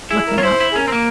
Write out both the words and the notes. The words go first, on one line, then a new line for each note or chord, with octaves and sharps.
looking out.
E4 G#4
A#4
F4 C#5
E4 C5
E4
G#4
C#4 A#4
C4
A#3